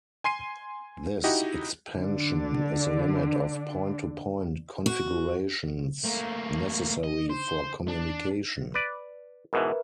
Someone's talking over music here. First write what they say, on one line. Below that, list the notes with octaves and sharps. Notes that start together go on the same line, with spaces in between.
This expansion is the limit of point-to-point configurations necessary for communication.
G#5 C6 C7 D#7
D#4 E4 F#4 G4 D#5
D3 D4
F#4
A3 A#3
D#5
C5
D4
B4 D5
G#2 B2 E3 A#4 B4 E5